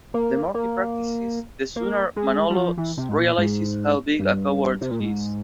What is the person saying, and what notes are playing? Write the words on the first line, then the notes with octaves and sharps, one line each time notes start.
The more he practices, the sooner Manolo realizes how big a coward he is.
A#3
A#3
A#3
G#3
G3
F3
E3
C3
G#2
A#2
G#2
G2
C3
A#2
G#2